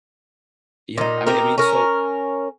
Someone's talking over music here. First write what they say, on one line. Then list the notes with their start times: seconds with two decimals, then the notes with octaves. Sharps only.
Yeah, I mean I mean, so
0.98 A#2 D#4
1.26 C4 D#4 G4 A#4
1.58 C#4 A#4